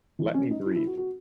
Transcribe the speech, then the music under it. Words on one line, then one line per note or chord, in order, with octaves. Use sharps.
Let me breathe!
E3
C#4
D#4
E4
E4
F#4
F#4